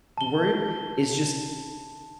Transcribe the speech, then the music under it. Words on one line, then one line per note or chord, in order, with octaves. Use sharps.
worried, is just
A5 G7